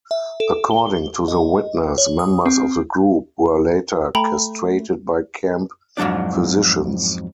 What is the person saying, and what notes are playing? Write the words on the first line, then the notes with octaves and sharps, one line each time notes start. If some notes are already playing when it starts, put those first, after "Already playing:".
According to the witness, members of the group were later castrated by camp physicians.
E5
A4
G7
D#5
C#5
D#6
C4
A3 G5 A#5 B5
F2 G#2 F#3 D4 D5